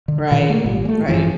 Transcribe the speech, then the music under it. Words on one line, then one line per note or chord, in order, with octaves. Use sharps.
Right, right.
D3
A#2 D#3
A3 A#3
G#1 A#2 G3
G#3 A3
A1 G2 E3 F3